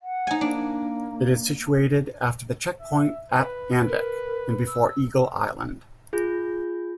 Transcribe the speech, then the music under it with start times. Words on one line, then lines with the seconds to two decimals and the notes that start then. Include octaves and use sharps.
It is situated after the checkpoint at Anvik and before Eagle Island.
0.02 F#5
0.27 D#4 G#5
0.41 A#3 D4
2.80 E5
3.31 B4
3.88 A#4
4.67 E6
6.13 F4 G#4 G6